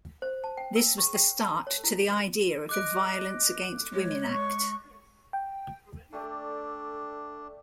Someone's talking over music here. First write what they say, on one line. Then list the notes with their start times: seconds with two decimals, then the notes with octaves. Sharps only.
This was the start to the idea of the Violence Against Women Act.
0.22 C5
0.44 A5
0.57 G5
0.76 E6
0.98 C#6
1.14 G5
1.41 A5
1.67 C#5
1.84 E4
2.69 D#5 D6 F#6 D7
3.93 G#3 C#5
4.32 C#6
5.33 G5
6.13 A3 D4 G4 A4 D5